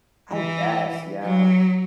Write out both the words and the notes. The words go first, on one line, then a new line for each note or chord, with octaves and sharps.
I guess, yeah.
E3
F#3